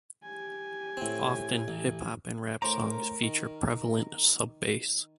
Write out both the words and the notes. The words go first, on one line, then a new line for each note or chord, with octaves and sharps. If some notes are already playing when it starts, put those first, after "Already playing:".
Often, hip hop and rap songs feature prevalent sub-bass.
G4 G#5
A2 C4
A1
A2 A#4 C5 A#5 D6
D#3